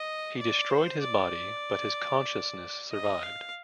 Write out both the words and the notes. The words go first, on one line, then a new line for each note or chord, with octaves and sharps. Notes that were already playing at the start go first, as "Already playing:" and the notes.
He destroyed his body, but his consciousness survived.
Already playing: D#5
D5
C5
D5
D#5
F5